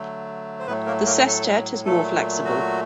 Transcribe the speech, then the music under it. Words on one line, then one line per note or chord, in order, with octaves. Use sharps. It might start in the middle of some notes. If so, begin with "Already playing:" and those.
The sestet is more flexible.
Already playing: D3 F#3 A3
C5
A2 F#3 A3 B3 B4
A#3 A#4
A#3 A#4
A3 A4
A#2 F#3 A3 A4
F#3 F#4